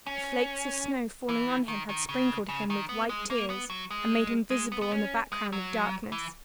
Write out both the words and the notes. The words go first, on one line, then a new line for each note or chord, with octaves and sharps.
The flakes of snow falling on him had sprinkled him with white tears, and made him visible on the background of darkness.
C#4
E3
D#3
D#3
C#3
C#3
D#3
B3
G#3
A#3
B3
F#3
G#3
G#3
B3
B3
C#4
G#3
F#3
E3